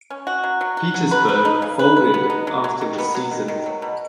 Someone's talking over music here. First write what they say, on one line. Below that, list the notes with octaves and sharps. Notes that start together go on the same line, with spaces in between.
Petersburg folded after the season.
C#4
F#4
F#3
F#3
F#4
F#3
B4
B4
D#4
C#3
B4
B4
B3
D#4
F#3
F#3
D#3
B3
F#3
D#3
D#3
F#3
B2